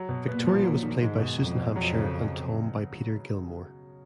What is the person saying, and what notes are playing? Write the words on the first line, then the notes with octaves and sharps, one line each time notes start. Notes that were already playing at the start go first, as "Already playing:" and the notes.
Victoria was played by Susan Hampshire and Tom by Peter Gilmore.
Already playing: F#3
B2
A#2 B3
F3
F#3
D#3
G#2 G#3
B2
F2 F#3
B2
F2 F#3
C#3